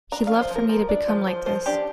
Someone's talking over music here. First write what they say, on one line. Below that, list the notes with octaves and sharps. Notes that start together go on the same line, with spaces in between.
He loved for me to become like this.
D4 A#5
F3 F5
C5
F3 A#4
F3 A#4
D4 D5
F3 C5
F3 C5
F3 C5
D4 G4